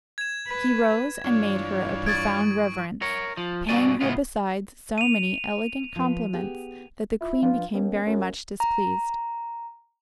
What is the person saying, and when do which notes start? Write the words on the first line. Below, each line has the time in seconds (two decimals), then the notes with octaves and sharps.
He rose, and made her a profound reverence, paying her besides so many elegant compliments, that the queen became very much displeased.
0.18 G#6 E7
0.47 B4
1.24 G2 E3 D4 F4 C#5
2.06 C#6 D#6 G#6 A6 D7
3.02 A#4 C#5
3.37 F3
3.69 G2 B2 C4 F#4 D5 G#5
4.01 A2 C#3 G#3 B3 F4
4.98 D#7 F7
5.96 F3 B4
6.33 B3 G4 G#4
7.21 E4 F4
7.42 F3 D4 F4 B4
7.74 D#2 B3 C#4
8.07 F#2 C#4
8.60 A#5